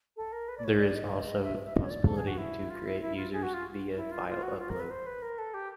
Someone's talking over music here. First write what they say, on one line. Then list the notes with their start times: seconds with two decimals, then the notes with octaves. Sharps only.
There is also the possibility to create users via file upload.
0.16 A4
0.32 A#4
0.48 B4
0.58 D5
0.64 C#5
0.79 D5
0.96 D#5
1.43 E5
1.64 E5
1.75 D#5
1.84 C#5
1.90 D5
2.06 A4
2.17 G#4
2.27 F#4
2.38 E4
2.70 F4
2.85 E4
3.01 E4
3.17 F4
3.33 G#4
3.43 F#4
3.54 F4
3.96 E4
4.11 F4
4.28 F4
4.43 F#4
4.59 F4
4.70 A#4
4.80 B4
4.91 C5
5.06 B4
5.22 A#4
5.38 A4
5.54 G4